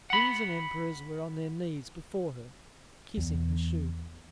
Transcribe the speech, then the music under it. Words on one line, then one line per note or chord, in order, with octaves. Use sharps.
Kings and emperors were on their knees before her, kissing her shoe.
F#5 B5
E2